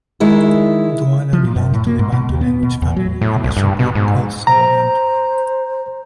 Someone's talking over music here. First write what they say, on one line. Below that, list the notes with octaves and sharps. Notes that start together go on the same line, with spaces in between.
Douala belongs to the Bantu language family, in a subgroup called Sawabantu.
D#3 G#3 E4
F3
A#2
F#2
A2
A#3
G#2
B2
D#2
B3
B2
E2
F#3
A2
C2
G2
B2
G#2
C5 A#5